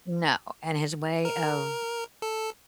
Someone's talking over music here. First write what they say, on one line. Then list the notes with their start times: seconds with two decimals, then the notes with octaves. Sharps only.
No. And his way of
1.25 A#4
2.22 A4